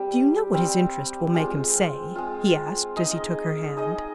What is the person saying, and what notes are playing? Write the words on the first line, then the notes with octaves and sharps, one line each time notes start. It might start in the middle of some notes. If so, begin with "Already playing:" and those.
"Do you know what his interest will make him say?" he asked as he took her hand.
Already playing: G3 C4 G4
G3 C4 G4
G#3 C4 F4
G#3 C4 F4
D#4 G#4 D#5
D#4 G#4 D#5